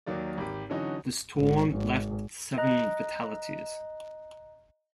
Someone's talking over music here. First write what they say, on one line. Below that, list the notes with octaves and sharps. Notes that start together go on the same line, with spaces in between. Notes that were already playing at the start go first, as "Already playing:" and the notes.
The storm left seven fatalities.
D#2 D#3 F#3 A#3 D5
G#1 G4
D3 E3 F#3 C#4 D#4 F#4
G#1
G#1
D#5 A#5 F#6